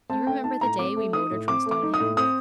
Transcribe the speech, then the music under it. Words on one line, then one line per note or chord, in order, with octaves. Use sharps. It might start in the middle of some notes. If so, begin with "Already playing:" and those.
'Do you remember the day we motored from Stoneham?
C4 A5
A3 G5
D#4 A5
A2 A#5
C4 D6
A3
D#4 D#6
A2
C4 D6
A3
D6
D#4
D#6
A2
C4 D#6